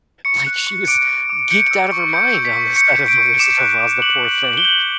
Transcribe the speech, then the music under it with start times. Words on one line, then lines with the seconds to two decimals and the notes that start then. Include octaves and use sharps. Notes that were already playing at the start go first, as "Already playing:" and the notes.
like, she was geeked out of her mind on the set of The Wizard of Oz, the poor thing.
0.25 C#6 C#7
0.47 F#6
0.67 C#6
0.88 D6 D7
1.08 F#6
1.30 D6
1.51 G6 C#7
1.71 E6
1.92 C#6
2.13 G6 C#7
2.34 E6
2.45 B6
2.55 C#6
2.76 C#6 C#7
2.97 G6
3.08 D7
3.18 C#6
3.39 D6 E7
3.60 F#6
3.81 D6
4.02 D6 F#7
4.23 F#6
4.43 D6
4.57 G7
4.65 G6 F#7